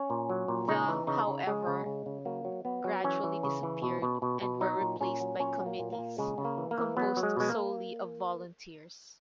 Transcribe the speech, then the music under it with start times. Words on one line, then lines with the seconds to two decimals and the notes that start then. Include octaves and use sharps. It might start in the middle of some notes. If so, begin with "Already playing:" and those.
The however gradually disappeared and were replaced by committees composed solely of Volunteers.
Already playing: C#4
0.10 A#2
0.29 F#3
0.48 A#2
0.68 C#3 D#4
0.88 E3
1.07 C#3 D#4
1.27 C#3
1.46 C#3 G#3
1.67 C#3
1.86 C#3
2.06 C#3
2.25 F#3 A#3
2.45 F#3
2.65 F#3 B3
2.84 F#3
3.04 E3 C#4
3.24 E3
3.43 C#3
3.63 E3
3.82 B2
4.02 B2
4.22 B2
4.42 B2
4.61 F#3 D#4
4.81 A#2
5.01 A#2 C#4
5.20 F#3
5.40 A#2 C#4
5.60 F#3
5.66 A#3
5.79 A#2
5.93 A#3
5.98 A#2
6.18 C#3 G#3
6.38 C#3
6.45 A#3
6.58 E3
6.71 A#3
6.78 E3
6.97 F#3 B3
7.17 F#3
7.23 G#3
7.37 B2 G#3
7.49 A#3